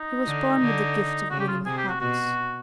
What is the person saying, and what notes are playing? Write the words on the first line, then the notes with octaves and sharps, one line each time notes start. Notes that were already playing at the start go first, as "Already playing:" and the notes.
He was born with the gift of winning hearts.
Already playing: D#4
D3
D3
C#3 F#4
G4
F4
C3 G#4
G4
F#4
B2 F#4